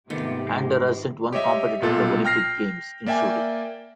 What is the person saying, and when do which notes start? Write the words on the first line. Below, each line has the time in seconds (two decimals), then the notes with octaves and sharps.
Andorra sent one competitor to the Olympic Games in shooting.
0.10 G#2 C3 D#3 A3 B3 F4 G4
0.47 G#3
1.33 G4 C#5 D#5 E5
1.82 B1 A#2 F4 A4
2.24 G5 F6 A#6 C7
3.06 A#3 D5 E5 G5 G#5